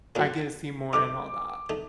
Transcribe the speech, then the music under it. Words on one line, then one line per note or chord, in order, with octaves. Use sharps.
I get see more and all that."
A2 F#3 A#3 D4
D3 A3 D#4 D6
D3 A3 D#4